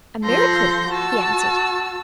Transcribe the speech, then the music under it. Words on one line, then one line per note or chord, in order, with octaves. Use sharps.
"A miracle," he answered.
F3 A4 C6 G6 A#6
F#4 A5 E6